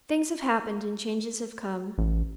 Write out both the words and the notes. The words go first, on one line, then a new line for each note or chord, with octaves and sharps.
Things have happened, and changes have come.
A1